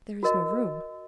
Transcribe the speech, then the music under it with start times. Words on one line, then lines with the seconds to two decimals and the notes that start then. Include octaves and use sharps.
"There is no room."
0.23 F#4 A#4 D#5